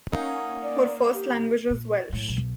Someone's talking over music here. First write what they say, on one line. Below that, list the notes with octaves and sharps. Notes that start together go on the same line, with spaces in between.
Her first language is Welsh.
A#3 C#4 D#4 A#4 F5 F#5
A#3 D5
G4
A#2
F#2 A2
B1